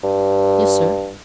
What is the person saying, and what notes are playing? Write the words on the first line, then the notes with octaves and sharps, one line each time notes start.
"Yes, sir."
G2